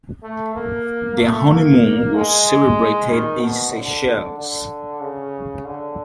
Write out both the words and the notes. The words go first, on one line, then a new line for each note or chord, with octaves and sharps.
Their honeymoon was celebrated in Seychelles.
A3
A#3
A3
A#3
G#3
D#3
B2
D3
D3
C#3
D3